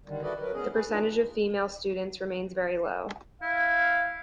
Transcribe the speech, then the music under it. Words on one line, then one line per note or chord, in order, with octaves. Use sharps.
The percentage of female students remains very low.
D3 D#3 G3
E4 F#4 A4 B4 D5 D#5
F#3 A#4 B4
A2 B3 C#4 G#4 D#5
G#4 B4
D4 D#4 F4 B4
E4 F5